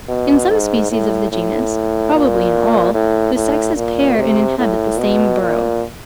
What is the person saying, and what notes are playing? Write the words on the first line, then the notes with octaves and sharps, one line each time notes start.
In some species of the genus, probably in all, the sexes pair and inhabit the same burrow.
B2
G#2
A2
A2
A#2
A2
A2
A#2
C3
A2
B2
A#2